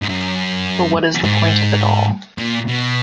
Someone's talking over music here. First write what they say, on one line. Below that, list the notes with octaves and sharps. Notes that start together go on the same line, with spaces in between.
But what is the point of it all?
G#2
F#2
G#2
A#2
B2